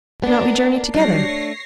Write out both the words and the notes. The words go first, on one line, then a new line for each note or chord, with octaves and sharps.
Cannot we journey together?'
A#3 B3 D4 A#4
F#3 G3 D4 C#5 A#6 C7
A3